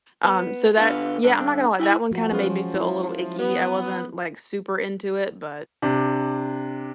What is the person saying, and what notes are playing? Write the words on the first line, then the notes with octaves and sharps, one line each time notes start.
Um, so that yeah, I'm not gonna lie, that one made me feel a little icky, I wasn't, like, super into it, but
B3
D3 B3 F4
G2 D3 D4
E4 G5 G#5
F3 F#4
F#3 G#3 B3 C#4 F4
F3
E4
B3
C3 D4